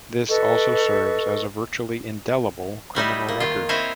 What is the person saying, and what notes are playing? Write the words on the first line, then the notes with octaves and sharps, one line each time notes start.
This also serves as a virtually indelible criminal record.
A4 B4 D#5 C#6
F#3 G3 D#4 E4
A#3
D#3 F4
C4 E4 C5 C#5 D#5 F5